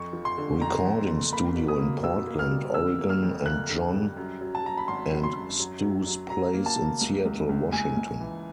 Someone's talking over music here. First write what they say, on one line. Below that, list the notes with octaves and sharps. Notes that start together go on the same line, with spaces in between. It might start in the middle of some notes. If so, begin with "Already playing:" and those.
Recording Studio in Portland, Oregon and John and Stu's Place in Seattle, Washington.
Already playing: F2 C#6
F3
C6
D3
F2 A#5
F2
F2
A#3 B5
B2
D#6
A#3
B2 E6
A#3
F6
G3
D3 E6
A#3
F6
F2
A#3 F#6
D3
G3
F#2
F#3
A5
F#3 A#5
B5
G#1 C6
F#3
C6
F#2
F#3
F#2
F#3
F#3 A#5
A#3
A5
A#3
C#2
C#2
C#2
C#2 G#5
C#2
E3